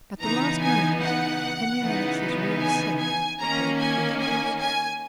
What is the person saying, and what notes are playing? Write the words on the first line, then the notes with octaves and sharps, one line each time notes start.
At the last moment, Henry Lennox's real self broke through the crust.
C#3 E3 B3 D#4 A#5
G#5
F#5
C#3 E3 B3 D#4
G#5
G#5
D#3 A#3 C#4 A#5
G#5
G#5
G#5